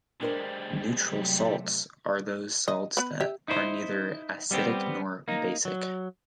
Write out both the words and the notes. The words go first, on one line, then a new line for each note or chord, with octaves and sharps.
"Neutral salts" are those salts that are neither acidic nor basic.
G3 G#3 D4 A#4 C5
C3 F#3 A3
D#5
B3 B4
G4 E5
D#4 E4 C5
G3 B3 C4 G4
A#3 D#4
F#3